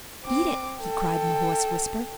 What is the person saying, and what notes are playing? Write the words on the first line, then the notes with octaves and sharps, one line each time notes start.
"Beat it!" he cried in a hoarse whisper.
C4 D6
A4 G5